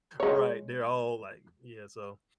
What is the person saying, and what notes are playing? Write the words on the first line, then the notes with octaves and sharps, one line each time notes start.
Right, they're all like Yeah, so
G#3 C#5